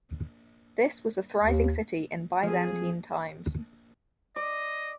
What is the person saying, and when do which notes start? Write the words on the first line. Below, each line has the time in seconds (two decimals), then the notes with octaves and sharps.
This was a thriving city in Byzantine times.
1.42 D#2
2.43 F2 F3 G#4
4.36 D5 D#5